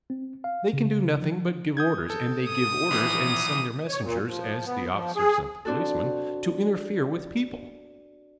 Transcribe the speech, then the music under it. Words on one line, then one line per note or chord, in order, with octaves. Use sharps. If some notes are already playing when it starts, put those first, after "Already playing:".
They can do nothing but give orders, and they give orders and send their messengers, as the officer sent the policeman, to interfere with people.
C4
F5
C#3
F3
D#6 G6 G#6
A4
D#6
A#1 E3
C#5
A#2
F3
B3
F3
G#4
C4 D4 F#4 A4